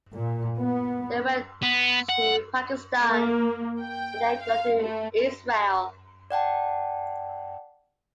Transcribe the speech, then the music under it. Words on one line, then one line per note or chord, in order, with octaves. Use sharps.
They went to Pakistan and then on to Israel.
A#2
B3
B3
F#5
A#3
G5
F5
A3
D5 F#5 G5 A5